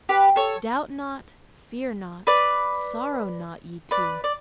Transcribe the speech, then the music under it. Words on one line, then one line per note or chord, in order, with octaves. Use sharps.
Doubt not, fear not, sorrow not, ye two.
G4 B4
A4 C#5
B4 D5
B4 D5
D5